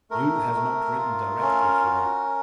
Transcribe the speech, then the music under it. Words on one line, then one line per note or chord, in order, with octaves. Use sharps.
You have not written directly for them.
A3 A#4
A3
F4
C#4
F#4